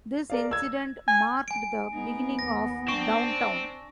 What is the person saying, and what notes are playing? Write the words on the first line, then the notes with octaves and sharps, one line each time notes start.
This incident marked the beginning of Downtown.
A#4 D5 F5
E6 G#6
G#5
G#5 D7
B3 D#4 G#4
D#2 A#6
C4 D4 C#6